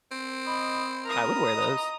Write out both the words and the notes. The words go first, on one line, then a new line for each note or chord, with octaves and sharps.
I would wear those.
C4
D#5 B5
A#4 A#5 D#6
D#5